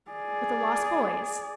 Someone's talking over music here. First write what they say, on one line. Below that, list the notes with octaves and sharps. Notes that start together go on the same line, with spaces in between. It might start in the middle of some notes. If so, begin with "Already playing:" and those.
"With the lost boys."
G#4 D5